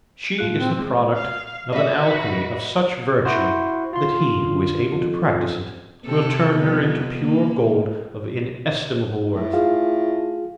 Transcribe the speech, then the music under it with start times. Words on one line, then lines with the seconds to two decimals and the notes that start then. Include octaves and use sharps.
She is the product of an Alchemy of such virtue that he who is able to practise it, will turn her into pure gold of inestimable worth.
0.39 A2 F4 F#6
0.60 C4
0.79 G#3
1.16 F5
1.73 F#4 B4 D#5 E5
3.25 E4 F#4 C5
3.93 F4 C6
4.40 D3
4.94 F2
6.05 C3 A4
6.57 F2 C3 B3
7.18 A#3
9.34 A2
9.53 F4 G#4 F5